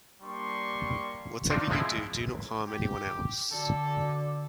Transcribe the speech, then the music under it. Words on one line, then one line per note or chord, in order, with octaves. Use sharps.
Whatever you do, do not harm anyone else.
G3 A#3 D4 C6 C#6
C4 D4 D#4 F4 C5
F3 G#3 C4 E4
G4
D3 F#4 A4 D5 D6